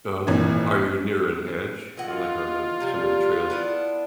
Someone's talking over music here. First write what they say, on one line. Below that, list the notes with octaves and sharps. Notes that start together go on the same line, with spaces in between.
Oh, are you near an edge, you know, like, are the some of the trails
G#1 A#2 E3
E3 F4 D#5 F#5
C3 F3 G3
B3 D4 E4